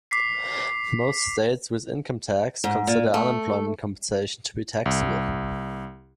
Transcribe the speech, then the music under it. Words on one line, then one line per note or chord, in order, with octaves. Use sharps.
Most states with income tax consider unemployment compensation to be taxable.
D6 B6 C7
G#2
A#2
A3
C2